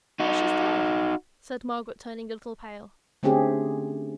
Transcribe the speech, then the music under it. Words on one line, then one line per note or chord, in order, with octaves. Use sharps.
'But she's dead!' said Margaret, turning a little pale.
D#4 F#4
D3 A3 C4 C#4 G4 G#4